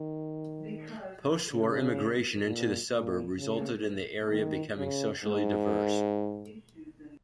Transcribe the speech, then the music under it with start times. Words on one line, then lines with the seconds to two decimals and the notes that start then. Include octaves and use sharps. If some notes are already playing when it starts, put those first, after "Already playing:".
Postwar immigration into the suburb resulted in the area becoming socially diverse.
Already playing: D#3
1.52 C#3
2.45 A#2
2.91 A#2
3.38 C#3
4.31 D#3
4.77 C#3
5.24 G#2